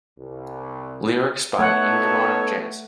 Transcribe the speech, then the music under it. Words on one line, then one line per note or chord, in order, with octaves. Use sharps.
Lyrics by Ingemar Jansson.
C2
A3 B3 D#4 A4 C#5 F#5